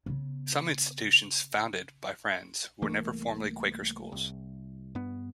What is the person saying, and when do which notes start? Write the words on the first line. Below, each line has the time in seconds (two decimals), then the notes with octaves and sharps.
Some institutions founded by Friends were never formally Quaker schools.
0.06 C#3 B3
2.82 C2 E3 A3 A#3
4.12 C2
4.95 G2 B3